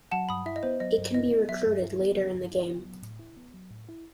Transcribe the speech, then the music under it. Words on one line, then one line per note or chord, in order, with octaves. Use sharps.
It can be recruited later in the game.
F#3 F#5 A5
G2 B5 D#6
E4 E5
D#5
B3 C5
F#3 D#5
G2
E4 D#5
B3
F#3 E5
G2
E4
B3
F#3
G2
E4
B3
F#3
A2
E4
B3
F#3
A2
E4